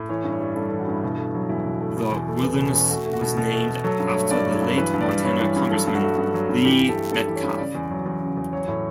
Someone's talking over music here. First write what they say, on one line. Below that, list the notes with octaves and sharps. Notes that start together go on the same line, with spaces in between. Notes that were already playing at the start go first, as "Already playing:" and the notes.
The wilderness was named after the late Montana congressman Lee Metcalf.
Already playing: A2
E3 C#5
G2
C#5
G3
G2 A4
E3 A4
F#4
G2 E4
B2
A3
F#3
E2 E4
B2
A3
B2
E2
A3
E2 B3
B2
C#4
E2
A3 F#4
A3
F#4
B2
B2
A3
A3
F#3 A4
G2
C#5
A3
G2 D5
F#3
C#5
G2
E3 B4
G2
D5
G3
G2 C#5
E3
G2
F#3 A4
G2
F#4
A3
G2
F#3
G2
E3 G4
G2
A4
A3
G2 A4
E3
C#5
G2
C#3 D5
E2
F#3
E2
C#3
E2
F#3 C#5
A2 C#5